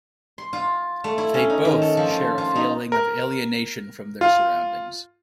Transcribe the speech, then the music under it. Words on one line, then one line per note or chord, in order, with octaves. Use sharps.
They both share a feeling of alienation from their surroundings.
C6
F4
A3
E4
C#4
D#4
D#3
A4
F3
F4
F4
D#4
A#4
F4